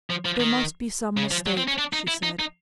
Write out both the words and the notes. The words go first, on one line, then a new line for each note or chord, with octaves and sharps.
"There must be some mistake," she said.
F3
F3
D#3
C#3
F3
F#3
C4
C#4
D4
D#4
E4
D#4
D#4